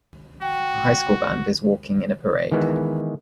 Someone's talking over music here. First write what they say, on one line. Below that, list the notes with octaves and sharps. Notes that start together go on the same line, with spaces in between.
A high school band is walking in a parade.
F#4 G5
D#3 E3 G#3 B3